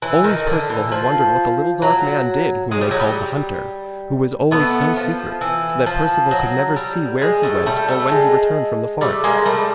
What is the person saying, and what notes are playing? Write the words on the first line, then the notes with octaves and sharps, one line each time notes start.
Always Perceval had wondered what the little dark man did whom they called the hunter, who was always so secret, so that Perceval could never see where he went or when he returned from the forest.
E3
D#3
D3
E3
F3
F#3
G#3
G3
F#3
G3
A3 B3
F3
E3
F3
F#3
G3
G#3
G3 A3
G3 A3
G3 A3
G#3
G3 A3
G#3 A#3
G3 A3